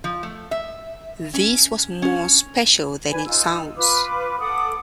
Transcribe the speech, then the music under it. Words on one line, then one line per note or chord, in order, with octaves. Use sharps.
This was more special than it sounds.
F3
A3
E5
C#4
C#4
B4 D5 G#5 B5
D#4 F4 E6
F4 B4 D6
A4 F#5 D6 D#6